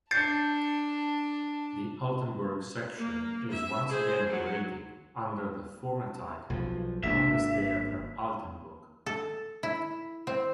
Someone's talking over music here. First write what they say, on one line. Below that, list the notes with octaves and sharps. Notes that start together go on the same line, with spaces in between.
The Altenburg section is once again operating under the former title "Landestheater Altenburg".
D4 A5 G6 A6 C7 C#7
A#3
E5
G#4 C5
F#3
B1 F3
G#1 A#3 D4 E5
A4
E4
C4